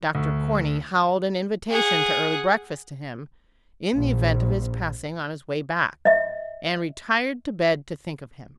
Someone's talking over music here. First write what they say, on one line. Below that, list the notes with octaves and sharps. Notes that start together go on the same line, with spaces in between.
Dr. Corney howled an invitation to early breakfast to him, in the event of his passing on his way back, and retired to bed to think of him.
D2
G#4 F#5
A#1
D#5 E5